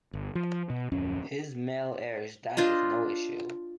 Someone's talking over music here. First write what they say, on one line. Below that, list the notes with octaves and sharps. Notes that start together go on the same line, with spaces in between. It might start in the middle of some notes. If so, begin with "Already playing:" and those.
His male heirs died with no issue.
G1
F3
B2
D1 F2 C#4
D4 F4 C5 D#5